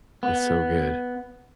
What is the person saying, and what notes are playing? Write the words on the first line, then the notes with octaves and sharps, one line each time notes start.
it's so good.
B3